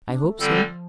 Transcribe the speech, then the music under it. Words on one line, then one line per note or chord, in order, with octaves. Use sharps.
"I hope so."
D4
A3
D3 F3 G3 C4 A4